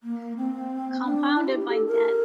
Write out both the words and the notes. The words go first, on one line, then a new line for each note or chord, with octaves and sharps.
Compounded by debt.
A#3
C4
D4
E4
G4
G4
A4
A#4